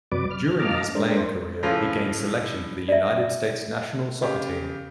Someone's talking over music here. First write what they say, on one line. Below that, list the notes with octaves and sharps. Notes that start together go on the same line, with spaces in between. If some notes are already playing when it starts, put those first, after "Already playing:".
During his playing career he gained selection for the United States national soccer team.
F#2 C3 F#3 B4 D5 D6
F6
D#5 F5 A5 A#5 D6 F6
G#3 D4 A#4 C5
A2 C#3 F3
D5 E5
C#3 G4